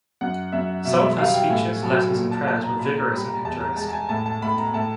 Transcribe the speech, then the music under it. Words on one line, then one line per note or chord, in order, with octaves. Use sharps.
Some of her speeches, letters, and prayers were vigorous and picturesque.
F#2 F#5
F#2 E5
B2 E5
E5
G3 F5
G5
A2 G#5
F#3 A5
A#2
A5
A#2 A5
A#5
A#2 B5
A#5
G3 B5
A#5
E2 A5
A#5
G#3 A5
A5
G#5
A2 A5
A5
A2 B5
A#5
A2 A5